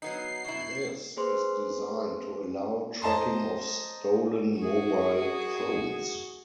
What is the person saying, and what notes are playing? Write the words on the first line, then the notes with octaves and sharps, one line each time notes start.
This is designed to allow tracking of stolen mobile phones.
F#3 B3 D#4 C7
B2 E4
A#3 G#4 B4 C5 C6
C5 D#5 A5 A#5 C6
F#4 G#4